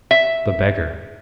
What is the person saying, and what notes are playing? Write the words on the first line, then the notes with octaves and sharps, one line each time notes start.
The Beggar.
E5